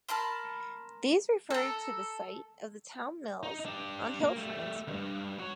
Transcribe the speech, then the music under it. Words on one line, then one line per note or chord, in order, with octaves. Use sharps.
These referred to the site of the Town Mills on Hillfarrence Brook.
A#4 A5 B5 C6
A4 A#5
D#4
D4 G4
A#3
G3 A3
D2 G2
F#4 C#5